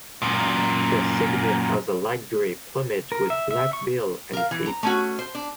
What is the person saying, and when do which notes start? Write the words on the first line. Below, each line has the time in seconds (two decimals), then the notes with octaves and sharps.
The cygnet has a light grey plumage with black bill and feet.
0.22 F#2 A#2
3.12 A#4
3.30 E5
3.51 E5
3.73 C#6
4.33 A#4 F5
4.51 E3
4.66 A#5
4.83 A3 C#4 F#4
5.19 C5
5.35 D4